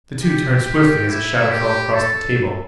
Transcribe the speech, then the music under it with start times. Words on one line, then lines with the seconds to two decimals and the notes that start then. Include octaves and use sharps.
The two turned swiftly as a shadow fell across the table.
0.22 G4
0.64 G4
1.08 E4
1.51 G4
1.94 A4